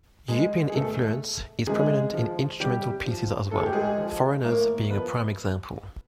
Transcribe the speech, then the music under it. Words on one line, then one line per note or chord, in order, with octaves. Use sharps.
European influence is prominent in instrumental pieces as well, "Foreigners" being a prime example.
G#3 G#4
G#4
B2 A3 A4
C3 G#3 G#4
F3
C3 G3 G4
F3
A2 A4
G#4
G4
G#3 G#4
F3
A2 A#3 A#4
F3 B3 B4